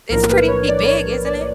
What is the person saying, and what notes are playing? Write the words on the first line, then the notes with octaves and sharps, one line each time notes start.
It's pretty big, isn't it?
B1 A2 F3 A#3 D4 A#4
B4
C#5
D5
C#5
D5